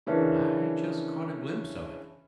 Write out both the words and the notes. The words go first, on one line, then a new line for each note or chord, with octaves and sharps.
"I just caught a glimpse of it."
C#3 E3 C#4 D4 A#4